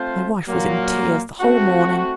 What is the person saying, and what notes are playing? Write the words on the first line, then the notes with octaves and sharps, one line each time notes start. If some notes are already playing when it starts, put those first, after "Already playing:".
My wife was in tears the whole morning.
Already playing: A3 C4 F4 C5
A#2 F#3 A#3
A3 C4 F#4